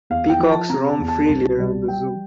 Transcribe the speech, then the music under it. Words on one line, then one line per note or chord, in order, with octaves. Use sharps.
Peacocks roam freely around the zoo.
E2 F5
G5
F3
A5
C3 A#5
A5
E2
A5
C2
G3
G3 G5